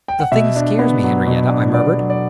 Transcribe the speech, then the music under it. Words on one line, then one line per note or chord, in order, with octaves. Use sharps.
"The thing scares me, Henriette," I murmured.
G5
F#5
B2 E5
D4
B3
F#3
B2
D4
B3 D5
F#3
D5